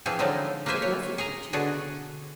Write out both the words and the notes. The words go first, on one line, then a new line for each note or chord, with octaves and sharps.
It mustn't be too late!
E3 F3 C4 E4 G#4
D3 F3 F#3 G#3 D#4 E4
A#3 E4 B4 C5 E5 G#5
C#5
G#4 G#5 A#5
B2 D3 F#4 G#4